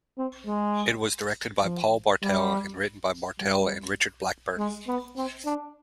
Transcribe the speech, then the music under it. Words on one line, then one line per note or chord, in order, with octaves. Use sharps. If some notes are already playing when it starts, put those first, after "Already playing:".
It was directed by Paul Bartel and written by Bartel and Richard Blackburn.
C4
G#3
F3
G3
G3
G#3
B3
C4
D4